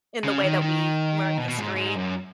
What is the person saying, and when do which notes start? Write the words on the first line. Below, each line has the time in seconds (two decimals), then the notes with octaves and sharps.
in the way that we learn history
0.24 C#3
0.43 D#3
0.62 D#3
1.38 B2
1.49 B2
1.58 G#2
1.76 G#2
1.95 F#2